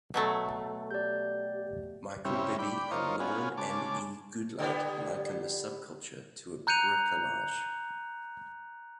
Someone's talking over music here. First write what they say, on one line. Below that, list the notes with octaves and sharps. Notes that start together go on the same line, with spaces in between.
Michael Bibby and Lauren M. E. Goodlad liken the subculture to a bricolage.
B2 F#3 A3
G4 D5 G6
G2 C#3 G3 C4 C#4 E4
D5 G5 B5
D#4 F4 A#4 C5 C#5
B3 C#4 F4 F#4 G#4
C#3 G#3 A5 D6
D3 G3 B3
A#5 F#6 G6 C#7 D#7 F7